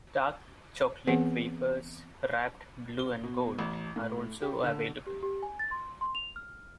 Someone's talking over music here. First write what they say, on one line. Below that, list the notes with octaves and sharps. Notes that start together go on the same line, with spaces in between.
Dark chocolate wafers, wrapped blue and gold, are also available.
E3 B3 C4 G#4 B4 F#5
G7
B2
A1
A2
G4
D3
G4
G4
G#5
A6
C6
C6
F7
F6